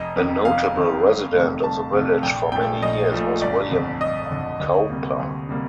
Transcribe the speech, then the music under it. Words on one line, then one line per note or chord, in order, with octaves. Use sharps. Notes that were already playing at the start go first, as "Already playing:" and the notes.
A notable resident of the village for many years was William Cowper.
Already playing: F1 D#5
F2 D#3
F1 F5
F2 D#3
G1
F2 C3 D#3 A3
G1 A5
F2 C3 D#3 A3
A#1 G5
A#2 F3 A3 G5
A#1 D#5
A#2 F3 A3
G1 D5
F2 D3
G1 D#5
F2 D3
D2
C3 G3 A#3
D2
C3 G3 A#3